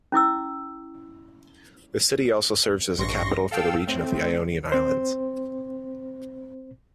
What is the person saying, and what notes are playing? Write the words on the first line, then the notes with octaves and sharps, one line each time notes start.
The city also serves as a capital for the region of the Ionian Islands.
C#4 E4 D6 E6
A1 G2 C6 C#6 A#6
A4 F5 G5 E6
A2 C4
C4 C5